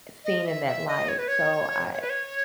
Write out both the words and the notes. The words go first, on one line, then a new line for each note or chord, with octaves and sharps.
seen in that light, so I
D#5
E5
E5
D#5
C#5
B4
C#5
C#5
B4
C#5